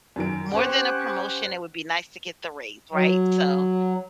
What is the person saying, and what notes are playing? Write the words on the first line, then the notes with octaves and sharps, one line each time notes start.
More than a promotion, it would be nice to get the raise, right, so,
F#2 D#3 D7
C#4 G4 C5 F#5 F#6
F#3